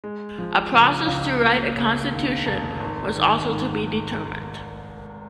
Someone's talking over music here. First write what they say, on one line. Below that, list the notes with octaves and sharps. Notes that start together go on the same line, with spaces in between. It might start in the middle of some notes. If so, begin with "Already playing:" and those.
A process to write a constitution was also to be determined.
G#3
F3
C#3
C#2
A#3
C#3
D#2
F1
G#1
D#3
G#2